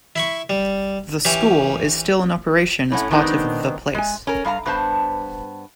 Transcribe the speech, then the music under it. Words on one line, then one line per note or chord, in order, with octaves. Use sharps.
The School is still in operation as part of The Place.
E4 B5 C#6
G3
E3 C#4 G4
A2 C#4 F#5
D#3 G#3 B3 C4 D4 D#4
G#3 G#5
C#4 A#4
G2 G3 F5 A#5
G2 B3 C5 A5